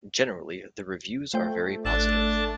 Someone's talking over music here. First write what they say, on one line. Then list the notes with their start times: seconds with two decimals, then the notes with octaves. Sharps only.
Generally the reviews are very positive.
1.34 A3 F4 C5 G5
1.85 G#1 D4 A5 E6 F#6